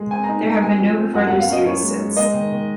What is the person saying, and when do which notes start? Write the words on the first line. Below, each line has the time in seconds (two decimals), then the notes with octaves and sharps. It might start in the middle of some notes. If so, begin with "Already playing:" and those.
There have been no further series since.
Already playing: G#3
0.11 C4 G#5
0.24 A#5
0.29 D#4
0.45 G#3 A#5
0.62 C4 G#5
0.80 F3
0.96 C4
1.13 F#2 F#5
1.27 F#2 F#5
1.39 F5
1.49 C#4 D#5
1.65 F#2 C#5
1.83 G#3
2.00 G#3
2.17 G#3 D#5
2.34 D#3
2.52 D#3